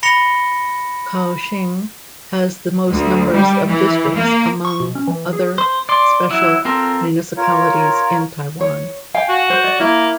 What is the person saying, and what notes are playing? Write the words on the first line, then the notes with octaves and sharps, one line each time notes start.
Kaohsiung has the most numbers of districts among other special municipalities in Taiwan.
B5 A#6 C#7 F7 G7
D2
G3
E3
A#3
C#6
B2
C#4
E3
G#4
C5
D5 C6
F#3 E4
C4 F4 A4 A#4
F4 A#4 C#5
C#5
F5 G5 G#5
F#4
C5
D5
A#3 E4